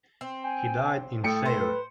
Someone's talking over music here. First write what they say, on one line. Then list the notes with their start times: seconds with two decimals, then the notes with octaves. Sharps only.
He died in Sayre.
0.21 C4
0.44 G5 G#5
1.23 A2 A4 G5 D#6 C#7
1.45 B4 C5